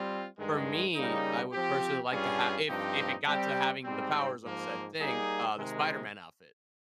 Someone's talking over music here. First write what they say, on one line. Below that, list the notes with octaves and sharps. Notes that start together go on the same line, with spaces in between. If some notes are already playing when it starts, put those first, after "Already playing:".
For me, I would personally like to ha if if it got to having the powers of said thing, uh, the Spider-Man outfit.
Already playing: G3 C4 F4
G2 D#3 G#3
C#3 G3 A#3 D#4
F3 C4 G4
G2 G3 C#4 F4 G#4
G2 F3 C4 D#4 G4
G3 C4 G4
G#2 G3 C4
G#2 F3 A#3
G3 A#3 D#4 G#4
C3 D#3 G#3